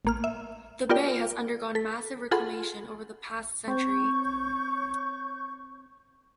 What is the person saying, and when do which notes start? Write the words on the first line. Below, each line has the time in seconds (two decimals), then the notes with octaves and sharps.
The bay has undergone massive reclamation over the past century.
0.05 A1 A#3 F6
0.24 E5
0.89 B3 F4 G4 A#4 D5 G5
1.75 A4 B6
2.31 F4 G#4 A4 F#5 B5 C6
3.68 C4 C#5 C#6 G6